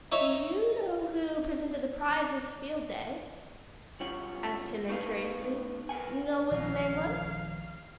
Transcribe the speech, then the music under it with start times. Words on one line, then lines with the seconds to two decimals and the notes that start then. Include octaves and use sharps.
"Do you know who presented the prizes Field Day?" asked Henry curiously. "Know what his name was?"
0.12 D#4 C#5 E5
4.00 B1 G2 C#4 F4 C#5 F#5
4.89 A3 B3 D#4 B4 F5
5.89 A#4 B4 F#5 G#5
6.51 A#1 E2 A#2 D#3 F3 F#3 G#3 F5